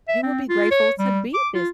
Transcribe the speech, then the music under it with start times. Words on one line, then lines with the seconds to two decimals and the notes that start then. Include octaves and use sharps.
you will be grateful to be this.
0.08 E5
0.23 C4
0.49 F4
0.71 C#5
0.99 G3
1.34 D6
1.54 F4